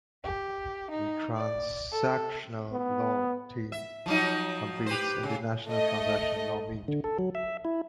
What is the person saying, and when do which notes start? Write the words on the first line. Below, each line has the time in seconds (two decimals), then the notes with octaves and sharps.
The Transactional Law Team competes in the National Transactional Law Meet.
0.24 G4
0.91 D#4
1.35 D5
1.91 A4
2.72 B3
3.72 E5
4.06 F3 F#3 D#4
4.86 G4 B4 C5
5.23 C#3
5.68 A3 D#5
6.88 D3
7.04 A4
7.19 F#3
7.35 E5
7.65 E4